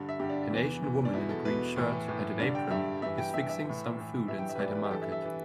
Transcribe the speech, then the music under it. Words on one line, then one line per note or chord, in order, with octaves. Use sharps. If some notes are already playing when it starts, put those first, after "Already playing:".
An asian woman in a green shirt and an apron is fixing some food inside a market.
Already playing: G2 D3
E5
G2 D3 G4
D4
E2 E3
E2 E3
D4
E2 B2 E4
A4
E2 B2 B4
A2 E3
A2 E3
G2 D3 D5
G5
G2 D3 E5
G2 E3 E5
G5
G2 E3 E5
E5
A2 E3
A2 E3
G2 E3 E5
G5
E5
B4
G2 E3 D5
B4
G4
G2 E3 A4
E5
E5
E3 B4